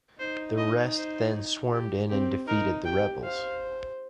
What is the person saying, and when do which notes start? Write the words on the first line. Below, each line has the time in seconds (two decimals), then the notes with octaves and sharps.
The rest then swarmed in and defeated the rebels.
0.20 D#4 C5
0.58 D#5
0.96 C5
1.72 G4
2.10 C4 G4
2.48 D#4 A#4
2.85 G4 G5
3.24 C5 F5